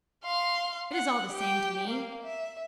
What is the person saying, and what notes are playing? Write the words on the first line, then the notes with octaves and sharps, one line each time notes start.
It is all the same to me.
F5 C6
F#5
G4 G5
A#3 F5
E5